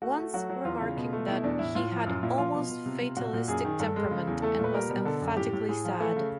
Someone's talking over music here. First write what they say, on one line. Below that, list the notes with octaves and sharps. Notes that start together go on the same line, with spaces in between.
Once remarking that, "He had almost fatalistic temperament and was emphatically sad".
A3 F#4
A3
F#3 F#4
F#3
E2 F4
C#3
B2
A3
B2 E4
E2 D4
A2 E4
A2 F4
F3
F#2
A#2 E4
F3 F4
B2
B2
C3
C3
A#2 F#4
A#2
F#2 G#4
D#3
G2 A4
G#3
C#3
E2
A3 A4
A#2
B4
G3 A#4
B2
D3 A4
F#2
A2 G4
A2
A2 G#4
F3
A3 A4
C#3